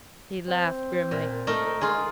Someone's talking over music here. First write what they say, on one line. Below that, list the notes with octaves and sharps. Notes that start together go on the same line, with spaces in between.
He laughed grimly.
C4
A#2
A3 D#4 A#4
G#3 F4 G#4